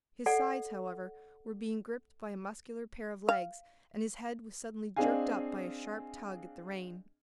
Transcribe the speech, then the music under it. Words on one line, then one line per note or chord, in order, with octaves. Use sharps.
His sides, however, were being gripped by a muscular pair of legs, and his head was suddenly jerked up by a sharp tug at the rein.
A4 D5 F#5
F5
C4 D4 G#4 D#5 F5 G#5